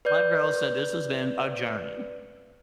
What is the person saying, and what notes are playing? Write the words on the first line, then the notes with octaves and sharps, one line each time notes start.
My girl said, "This has been a journey."
B4 D5 G6